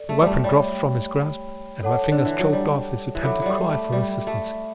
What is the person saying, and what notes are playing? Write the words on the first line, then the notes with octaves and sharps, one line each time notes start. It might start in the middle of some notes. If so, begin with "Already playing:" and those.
The weapon dropped from his grasp, and my fingers choked off his attempted cry for assistance.
Already playing: A4 D5
A3
G3 A3
G3 C#5 G5 B5
A4 C#5 F#5 A5 D6
D3
E3
F#3
G3
E3
F#3 A4 E5 B5 D6
F#3 G3
A3
G3
A3